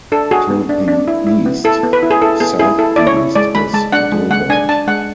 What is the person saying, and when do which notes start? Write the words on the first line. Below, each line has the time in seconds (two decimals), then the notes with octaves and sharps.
To the east-southeast is Gilbert.
0.12 D4 A4
0.31 F#4 G#4
0.50 B3
0.69 D4
0.88 D4
1.08 E4
1.27 E4
1.46 B3
1.65 E4 A4
1.83 B3
1.93 B4
2.03 E4
2.11 G#4
2.21 E4 A4
2.40 B3 G#4
2.59 E4 G#4
2.78 E4 A4
2.96 E4 D5
3.07 C#5
3.17 E4
3.35 G#3 D5
3.55 G#3 B5
3.74 G#3 A5
3.92 D4 F#5
4.12 G#3
4.31 G#3 F#5
4.50 D4 G#5
4.69 D4 A5
4.87 G#3 F#5